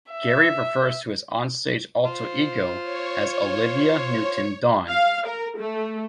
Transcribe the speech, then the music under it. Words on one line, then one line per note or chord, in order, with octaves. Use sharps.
Gary refers to his onstage alter-ego as "Olivia Newton-Dawn".
E5
F4 C5
C#5
F5
A#4
A3